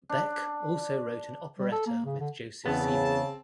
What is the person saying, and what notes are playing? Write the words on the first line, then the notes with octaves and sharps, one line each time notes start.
Beck also wrote an operetta with Joseph Seymour.
D4
G3
A4
A#3
C#3
D3
E2 C#3 B3 C4 A5